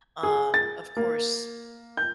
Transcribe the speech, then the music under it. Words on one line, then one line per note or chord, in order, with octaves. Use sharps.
um, of course,
G#4
A6
A#3
G6